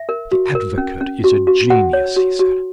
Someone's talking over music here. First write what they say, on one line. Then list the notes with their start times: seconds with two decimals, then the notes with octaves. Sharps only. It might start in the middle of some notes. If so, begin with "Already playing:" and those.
"The advocate is a genius," he said.
Already playing: E5
0.09 A#4
0.32 F#4
0.55 A#4
0.78 C#4
1.01 C#4
1.24 F#4
1.47 F#4
1.70 F#4 F#5
1.93 C#5
2.16 F#4
2.39 F#4